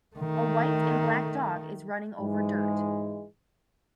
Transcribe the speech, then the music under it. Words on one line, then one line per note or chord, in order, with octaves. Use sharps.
A white and black dog is running over dirt.
D#3 A3
G#2 E3 G#3